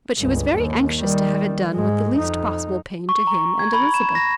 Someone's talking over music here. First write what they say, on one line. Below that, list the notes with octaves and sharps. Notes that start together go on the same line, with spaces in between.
But she was very anxious to have it done with the least possible pain to him and Elizabeth.
G1 C#2
D#2
D#3 G3
G#2 G#3
F2 D#4
C#6
A#5
G#6
B5
E7
A#6